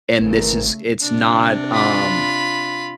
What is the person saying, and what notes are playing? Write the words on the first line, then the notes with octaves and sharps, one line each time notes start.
and this is it's not, um,
G#1 C#3 E3 A3 A#4
C3 D4
F4 B5